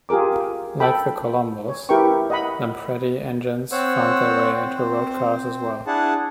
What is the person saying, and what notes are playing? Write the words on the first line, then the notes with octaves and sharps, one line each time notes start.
Like the Colombos, Lampredi engines found their way into road cars as well.
F4 G4 G#4 A#4 D6
A4 G5 B5
C#5
E4 G4 A#4 B4 G5 C#6
D#5 F#5 B5
C4 C5 C#5 F#5 E6
C4 C5
D4 E4 G#4 F#5 A5